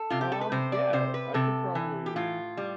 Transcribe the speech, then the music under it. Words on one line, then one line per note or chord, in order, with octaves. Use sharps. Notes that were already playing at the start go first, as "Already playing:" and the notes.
Um, yeah, I could probably
Already playing: A4
C3 F4
G4
A4
B4
C3 C5
D5
C3 C5
B4
C3 A4
E3
G4
A2 F4
G3